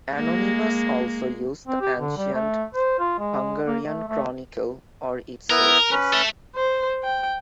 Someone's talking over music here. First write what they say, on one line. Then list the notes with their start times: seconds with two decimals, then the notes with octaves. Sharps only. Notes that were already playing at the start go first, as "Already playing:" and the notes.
Anonymus also used the ancient "Hungarian Chronicle" or its sources.
0.14 G#3 A#3
1.67 C4
1.81 G4
2.00 D3
2.17 G3
2.33 A3
2.74 C5
2.99 F4
3.19 G#3
3.66 A#3
3.85 A3
4.08 A3
5.50 B3 E4 A#4 B4
5.91 C#4 B4
6.13 A4 E5
6.55 C5
7.03 G5